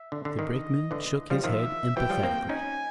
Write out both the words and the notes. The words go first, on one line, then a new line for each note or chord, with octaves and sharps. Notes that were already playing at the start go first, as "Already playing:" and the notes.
The Brakeman shook his head emphatically.
Already playing: E5
D3
D3
D#3 D#5
D3 E3
F3 G3
D#3 F3 E5
E3 F#3 G5
F3 G3
A#3 C4
C#4 D#4 G#5